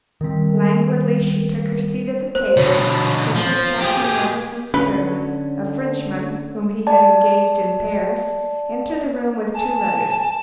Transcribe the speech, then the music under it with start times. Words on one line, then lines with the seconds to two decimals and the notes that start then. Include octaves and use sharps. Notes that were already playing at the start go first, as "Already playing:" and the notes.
Languidly she took her seat at the table, just as Captain Levison's servant, a Frenchman whom he had engaged in Paris, entered the room with two letters.
0.21 D#3 G3 C4 A#4
2.35 C5
2.57 B2 D3 C#5
3.34 F3
3.80 G4 G#4
4.74 D3 C#4 B4
6.87 D5 A5
9.54 G#5 A5